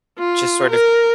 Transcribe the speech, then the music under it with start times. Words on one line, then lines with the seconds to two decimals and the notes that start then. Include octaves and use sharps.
just sort of
0.18 F4
0.71 A#4